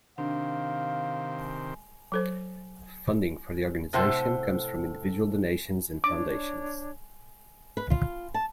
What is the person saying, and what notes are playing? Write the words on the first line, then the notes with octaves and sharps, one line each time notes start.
Funding for the organization comes from individual donations and foundations.
C3 D#3 D4 C5 F5
F#3 A4 C5
A2 C3 C5 F#5 A5
D4 C#5 D6
B4
F4
A5